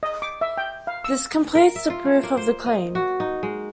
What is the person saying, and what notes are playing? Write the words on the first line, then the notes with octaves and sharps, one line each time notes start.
This completes the proof of the claim.
D#5
D6
E5
G5
F5
E6
A#4
E5
F4
A3
A#3
C5
D#5
F#4
D#4
G#3